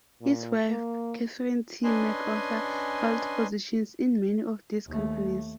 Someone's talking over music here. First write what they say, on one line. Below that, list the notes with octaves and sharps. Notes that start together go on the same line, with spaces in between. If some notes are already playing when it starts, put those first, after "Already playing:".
His wife, Catherine T. MacArthur, held positions in many of these companies.
A#2
A#3
C#4 D4 B4 D#5 G#5 C6
D#2 A3